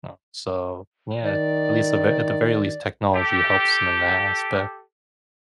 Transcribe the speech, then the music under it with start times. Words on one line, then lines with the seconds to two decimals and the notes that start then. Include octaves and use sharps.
Uh, so yeah, at least the ver at the very least, technology helps them in that aspect.
1.24 D#3 D5
3.15 G4 A4